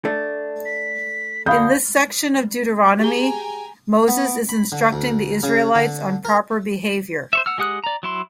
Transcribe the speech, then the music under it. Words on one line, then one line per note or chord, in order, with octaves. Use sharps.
In this section of Deuteronomy Moses is instructing the Israelites on proper behaviour.
A3 D4
B6
D2 D3 F5 B5 D#6 G6
G4 G#4 G5 G#5 A#5 G7
B3
B5
D3
D2
C#3
D3
A#4
C5 C#5 E5
F#5 E6 F6
G#3 G4 F#5 D#6 F#6
D5 A#5
F#3 E4 C6